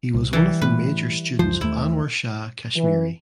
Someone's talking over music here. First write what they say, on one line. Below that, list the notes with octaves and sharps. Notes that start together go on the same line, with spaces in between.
He was one of the major students of Anwar Shah Kashmiri.
C2
E3 G3
A2 B4
C#2 F#2 F3 C5
D#2 A3 E4
E3